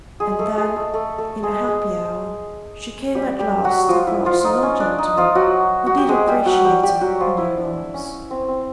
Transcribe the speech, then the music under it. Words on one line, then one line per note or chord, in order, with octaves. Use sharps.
And then, in a happy hour, she came at last across an old gentleman who did appreciate her and her wrongs.
G#3 G#4
A3 A4
G#3 G#4
A3 A4
A3 A4
A3 A4
G#3 G#4
G#3 G#4
G3 G4
G3 G4
F#3 F#4
F3 F4
E4
F3 F4
D#4
C#4
D4
D#4
F3 F4
F#3 F#4
F#4
G4
G#3 G#4
G3 G4
F#3 F#4
G3 G4
G3 G4
F#3 F#4
F3 F4
E4
D4
C#4
C4
C4